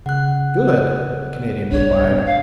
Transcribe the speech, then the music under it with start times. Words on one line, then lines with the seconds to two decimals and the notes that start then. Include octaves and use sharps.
"Good!" the Canadian replied.
0.06 C#3 F#5 F#6
1.71 A#1 G3 D4 C#5
2.04 G2 G3
2.26 F5